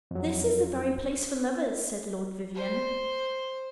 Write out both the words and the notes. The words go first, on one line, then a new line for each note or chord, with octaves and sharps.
"This is the very place for lovers," said Lord Vivianne.
F2 F#3
C5